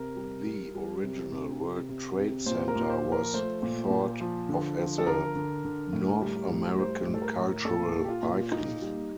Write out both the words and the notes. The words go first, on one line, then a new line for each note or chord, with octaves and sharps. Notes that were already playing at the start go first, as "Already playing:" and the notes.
The original World Trade Center was thought of as a North American cultural icon.
Already playing: C3 A#4
G3
G3
G3
C3
C3
C3
C3
C3
A#2 C5
A#4
A#2
C5
F3
A#4
A3 C5
A#2
A#2
F3
D3
F3
A4
D3 A#4
D3
D3
A2
G3
A2
G3 C5
A2
A4
A#4
A2
A#2 A4
A#3
G4
F4
A#2
A#3 D#4
G3